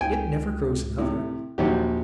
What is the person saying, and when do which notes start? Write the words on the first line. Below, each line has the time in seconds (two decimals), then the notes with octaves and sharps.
It never grows another.
0.01 C#2 G5 G#5
0.98 A2 C3
1.58 A#1 D#2 F#3 G4